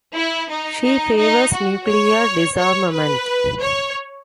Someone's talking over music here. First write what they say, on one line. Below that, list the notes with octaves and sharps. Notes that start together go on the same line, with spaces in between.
She favours nuclear disarmament.
E4
D#4
D#4
D#4
F#4
C#5
C#5
B4
C#5